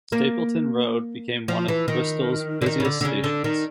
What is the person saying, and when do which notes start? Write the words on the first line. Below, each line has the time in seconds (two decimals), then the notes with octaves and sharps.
Stapleton Road became one of Bristol's busiest stations.
0.12 A#3
1.48 F3
1.68 E3
1.88 D#3
2.62 D3
2.66 D#3
2.80 C#3
2.85 D3
3.01 D3
3.05 C#3
3.24 D3
3.44 D#3